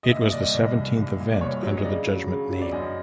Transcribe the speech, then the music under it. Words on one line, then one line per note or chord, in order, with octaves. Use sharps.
It was the seventeenth event under the Judgement name.
D#5
A#2 E5
D#5
C2 D5
D#5
C2 D5
C2
C2
A#2
D5
C2 C#5
F#3
D#5
C#3 D5
F#3
C#3
F#3
D5
F#2 D#5